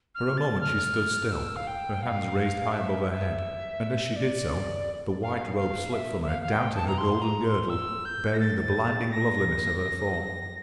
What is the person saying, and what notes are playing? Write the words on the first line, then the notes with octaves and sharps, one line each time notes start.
For a moment she stood still, her hands raised high above her head, and as she did so the white robe slipped from her down to her golden girdle, baring the blinding loveliness of her form.
F6
A6
F6
E6
F5
G5
F5
E5
E5
D5
F5
F5
E5
E5
F5
F5
G5
A5
A#5
C6
A#5
C6
E6
G6
A#6
A6
A#6